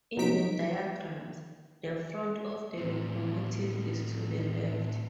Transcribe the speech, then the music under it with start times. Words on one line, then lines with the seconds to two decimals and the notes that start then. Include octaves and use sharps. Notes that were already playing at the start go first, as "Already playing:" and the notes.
In the diagrams, the front of the locomotive is to the left.
0.17 C3 F3 F#3 D#4 B6 D7
2.77 A2 C4